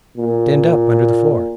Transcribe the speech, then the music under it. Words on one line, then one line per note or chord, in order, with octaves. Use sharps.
"Denned up, under the floor!"
A#2